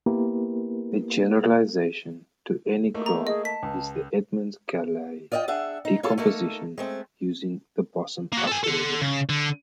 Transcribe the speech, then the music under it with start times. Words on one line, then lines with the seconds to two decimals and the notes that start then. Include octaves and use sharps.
A generalization to any graph is the Edmonds-Gallai decomposition, using the Blossom algorithm.
0.06 A#3 B3 E4 G4 A#4 B4
2.94 A3 A#3 D#4
3.06 A#5
3.27 G#4 D#5
3.45 A5 B6
3.63 C#2
5.32 F4 D5 D#5 F5 G5
5.48 D4 G#4 E5 F#5
5.85 D#4
6.03 C#4 F4 A4
6.18 A3 A#3 D#4 A4
6.78 G#3 A3 C4
8.33 A#3 F#4
8.47 A4 G#5
8.64 A4 F#5
9.01 C#3
9.29 D3